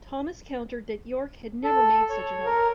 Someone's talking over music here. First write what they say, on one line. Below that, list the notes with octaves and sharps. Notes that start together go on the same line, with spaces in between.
Thomas countered that York had never made such an oath.
A4
C#5
A#4